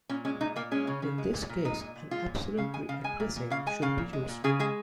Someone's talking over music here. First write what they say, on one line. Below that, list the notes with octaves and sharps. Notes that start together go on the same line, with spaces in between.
In this case an absolute readdressing should be used.
A#2 C#4
G#3 C#4
A#2 D#4
A#2 A#3
G#3 C#4
C#3
C#3
G#3
A#2
A#2
G#3 D#4
A#2
A#2
G#3 F4
A#2
A#2
C#3 F5
G#3 G#5
C#3 F5
G#3 G#5
A#2
A#2
C#3 F5
G#3 G#5
C#3 F5
A#2
G#3
A#2
C#3 G#4
G#3 G#4